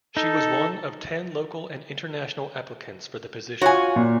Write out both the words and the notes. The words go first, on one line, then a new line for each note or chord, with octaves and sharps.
She was one of ten local and international applicants for the position.
D#4 A4
F4 F#4 C#5 G#5
A#2